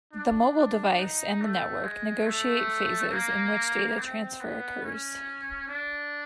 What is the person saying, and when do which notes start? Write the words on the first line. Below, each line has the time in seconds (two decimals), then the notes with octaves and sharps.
The mobile device and the network negotiate phases in which data transfer occurs.
0.13 D4
0.56 D4
0.99 D#4
1.42 A3
1.84 G#3
2.27 A3
3.12 A#3
3.98 C4
4.40 B3
4.83 C#4
5.68 D4